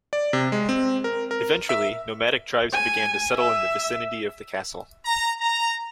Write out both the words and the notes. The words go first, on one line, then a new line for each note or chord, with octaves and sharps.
Eventually, nomadic tribes began to settle in the vicinity of the castle.
D5
C3
G#3
C4
A#4
A#4
E5
G#5
E5
A#5
A#5